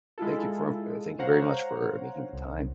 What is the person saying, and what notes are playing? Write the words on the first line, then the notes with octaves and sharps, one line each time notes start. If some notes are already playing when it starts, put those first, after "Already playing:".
thank you for thank you very much for making the time.
G#3 E4 F4 A4
C5 C#5 F5 F#5 A#5
C2